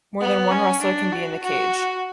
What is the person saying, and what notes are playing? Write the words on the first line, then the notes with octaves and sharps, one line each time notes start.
More than one wrestler can be in the cage.
B3
C#4
D4
F#4
F#4